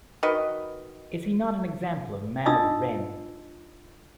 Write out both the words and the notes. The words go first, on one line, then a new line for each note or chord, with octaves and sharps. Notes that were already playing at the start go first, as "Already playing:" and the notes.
Is he not an example of a man of "ren"?
D#3 F#4 B4 D#5
D4 D#4 F4 D#5 D#6 E6